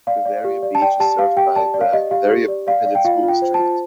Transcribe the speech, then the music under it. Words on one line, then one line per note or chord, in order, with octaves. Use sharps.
Riviera Beach is served by the Riviera Independent School District.
D5 F5
D5
G4
D5
A5
D5 G5
G4 A5
G4 F5
G4 G5
D5 A5
D5
F5
G4 D#5
G4 F5
G4
D5
D5 F5
D5
G5
F4 F5
F4
G5
C5
A5
F4